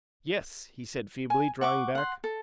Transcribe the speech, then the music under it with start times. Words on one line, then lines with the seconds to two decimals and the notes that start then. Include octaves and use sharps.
"Yes," he said, feebly, drawing back.
1.30 G#5
1.61 F#5 C#6 D6
1.95 F#5 C6
2.24 A4